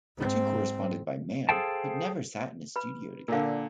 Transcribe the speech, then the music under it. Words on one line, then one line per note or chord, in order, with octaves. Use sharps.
The two corresponded by mail but never sat in a studio together.
G#2 C4
G#4 A4 C5 F5 G5 A5
B4 B5
A#2 D3 A#4 F5